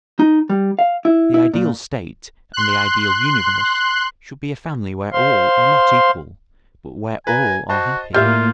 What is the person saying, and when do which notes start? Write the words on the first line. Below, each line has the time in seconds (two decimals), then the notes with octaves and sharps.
The ideal state and the ideal universe should be a family where all are not equal, but where all are happy.
0.19 D#4
0.49 G3
0.79 F5
1.05 E4
1.34 E4
1.54 A#2
2.53 C6 F#6
5.13 C5 F5 C6
7.27 B4 G#5 A#5
7.70 F#4 C5 D#5 A5
8.14 A2 G3 A#3 F4 C#5 E5 F6 G6